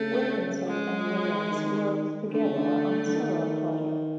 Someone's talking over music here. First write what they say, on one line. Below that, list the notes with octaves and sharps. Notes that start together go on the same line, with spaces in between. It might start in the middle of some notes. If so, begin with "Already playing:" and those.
Wilkinson and Williams worked together on several projects.
Already playing: C#3 A3
G#3
D#3
D3 A3
C#3
D3
D3
D#3